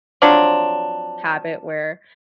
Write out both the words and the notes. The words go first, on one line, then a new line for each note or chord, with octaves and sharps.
habit where
F3 F#3 C4 D4